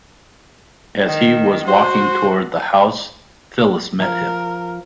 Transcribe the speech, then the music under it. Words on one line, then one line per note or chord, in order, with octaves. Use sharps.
As he was walking toward the house, Phyllis met him.
D#3
F#4 C5
F3 A#4